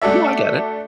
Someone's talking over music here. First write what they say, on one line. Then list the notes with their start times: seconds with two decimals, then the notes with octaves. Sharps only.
No, I get it.
0.02 A3 D4 F#4 A4 D5 E5